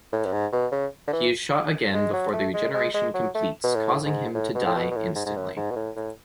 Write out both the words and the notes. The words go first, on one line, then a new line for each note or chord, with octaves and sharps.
He is shot again before the regeneration completes, causing him to die instantly.
A2
F#2
G#2
B2
C#3
D3
E3
G#3
F#3
A3
G#3
G#3
G#3
F#3
A3
B2
A2
G#2
A2
B2
A2
B2
B2
A2
G#2
G#2
F#2
G#2
B2
A2
A2